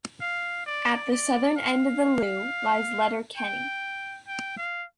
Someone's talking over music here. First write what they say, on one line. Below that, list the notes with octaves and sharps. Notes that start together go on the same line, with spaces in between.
At the southern end of the lough lies Letterkenny.
F5
D5
D5
F5
G5
G5
F5